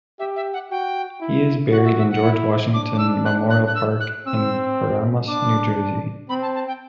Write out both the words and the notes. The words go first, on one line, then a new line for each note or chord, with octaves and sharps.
He is buried in George Washington Memorial Park in Paramus, New Jersey.
G4 E5
E5
F#5
F#4 G5
E4
F#4 F#5
E5
E5
F#5
E4
D4 D6
D6
E6
F#6
F#6
F#6
E6
F#6
C4 E6
D4 D6
C4 B5
A5
A5
G5